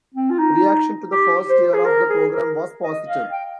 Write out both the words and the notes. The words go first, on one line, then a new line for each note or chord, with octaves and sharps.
Reaction to the first year of the program was positive.
C4
F4
D#4
G4
C5
G#4
A#4
G#4
A#4
D#5
F5
G5